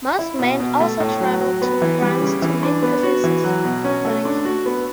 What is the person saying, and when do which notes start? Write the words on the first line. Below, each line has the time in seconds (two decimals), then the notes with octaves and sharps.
Mosman also travelled to France to make purchases for the king.
0.19 E4
0.39 B2
0.60 B2
0.80 A3
1.00 A2
1.20 F#3
1.41 F#3
1.62 B3
1.82 E3
2.02 G3
2.22 C#3
2.42 E3
2.63 D4
2.83 B3
3.03 F#4
3.24 E3
3.44 F#3
3.64 B2
3.84 C#4
4.05 A3
4.25 D4
4.45 F#4
4.66 B3